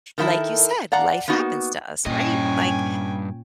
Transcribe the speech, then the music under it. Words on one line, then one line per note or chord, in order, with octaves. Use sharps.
like you said, life happens to us, right? Like
D#3 G3 A#3 E4 A4 A#4
D5 F5 F#5 A#5
A#3 B3 D#4 F#4
G2 A#2 C#4 D#5 G5 G#5